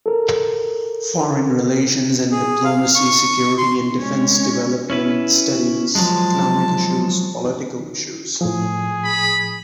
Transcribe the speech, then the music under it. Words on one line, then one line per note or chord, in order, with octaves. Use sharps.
Foreign relations and diplomacy, security and defense, development studies, economic issues, political issues.
A4 A#4
G#4
F5
C#6
C6
G#3 C#4
C#4 E4 B4
F3 F#3 G#3 A5
A2 F3 G#4
B5